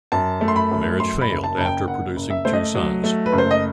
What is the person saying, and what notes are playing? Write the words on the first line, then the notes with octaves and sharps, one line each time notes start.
The marriage failed after producing two sons.
F#2 A5
A3
C6
B5
F#2
F#2 C6
B5
F#1
A5
F#1 A5
G5
F#1 F#5
F#1
E5
A3 C5
D#5
F#3
A3
B4
F#1
C5
D#5